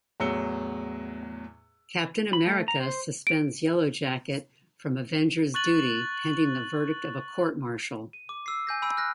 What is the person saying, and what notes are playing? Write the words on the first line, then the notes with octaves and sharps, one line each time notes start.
Captain America suspends Yellowjacket from Avengers duty pending the verdict of a court-martial.
E2 A2 F#3 E6 C#7 G7
B5
A3
A#5
C5
D7
C#6 F#6 A6 F#7
D#7
D6
E6 C7
G#5 G6 A#6
G#5 B5 E6 D7
F6 F#6 A#6